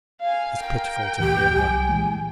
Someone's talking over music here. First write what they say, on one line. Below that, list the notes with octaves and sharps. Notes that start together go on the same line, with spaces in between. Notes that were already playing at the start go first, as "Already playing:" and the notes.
It is pitiful to hear her.
F5 G#5
A#4 G5
D2 A#2 E3 G4
C2 F#3 G#5
A#2 E3 G#3